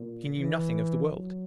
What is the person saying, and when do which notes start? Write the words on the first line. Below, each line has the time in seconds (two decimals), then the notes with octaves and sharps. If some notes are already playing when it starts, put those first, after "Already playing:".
She knew nothing of the world.
Already playing: A#2
0.36 E3
1.11 F#3